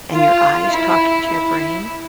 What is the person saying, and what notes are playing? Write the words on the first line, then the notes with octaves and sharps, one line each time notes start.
and your eyes talking to your brain,
F4
E4
E4